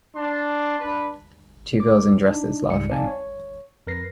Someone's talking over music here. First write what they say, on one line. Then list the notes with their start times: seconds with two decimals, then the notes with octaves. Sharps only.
Two girls in dresses laughing.
0.15 D4 A5 C6
0.79 D4 B4
1.80 D6
2.27 D4 D#4
2.70 C#2 G#2 G3 C#7
2.91 C4 D#4 D5 F5 G#5 A5
3.07 C#5
3.87 F2 A#4 B4 A#6 C7